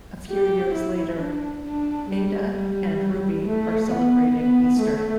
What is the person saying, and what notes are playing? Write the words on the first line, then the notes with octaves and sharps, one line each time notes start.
A few years later, Ada and Ruby are celebrating Easter.
G4
E4
D4
D4
G3
G3
A3
B3
B3
A3